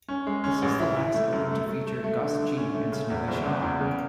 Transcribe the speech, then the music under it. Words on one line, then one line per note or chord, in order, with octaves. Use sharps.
This is the last album to feature Gus G. and Snowy Shaw.
C#4
G#3
C#4
A1
E4
E4
A3
F#2
A3
A3
A3
A3
D3
D3
C#4
A3
C#3
E2
F#1
C#3
E2
C#3